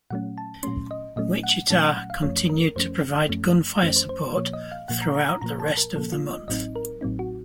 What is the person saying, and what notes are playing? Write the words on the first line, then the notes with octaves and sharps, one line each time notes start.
"Wichita" continued to provide gunfire support throughout the rest of the month.
A#2 F#3 A3 C#4 F#5
A5
A#2 F#3 A3 C#4 C6
D#5
A#2 F#3 A3 C#4 D#5
F#5
A#2 F#3 A3 C#4 A5
F#5
F#5
F5
F#2 F3 A3 C#4 C#5
A#4
F#2 F3 A3 C#4 C5
F#2 F3 A3 C#4
F#2 F3 A3 C#4 C5
C5
C5
A#2 F3 A#3 C#5
D#5
F5
A#2 F3 A#3 F#5
A#5
A#5
A#5
A#2 F3 A#3 A#5
A5
A#4
A#2 F3 A#3 A4
F4
D#5
A1 A2 F#3 C4 D#4 D#5
A#4
A1 A2 F#3 C4 D#4
F#4